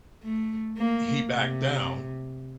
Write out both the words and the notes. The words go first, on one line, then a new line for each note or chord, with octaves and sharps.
he backed down.
A3
A#3
C3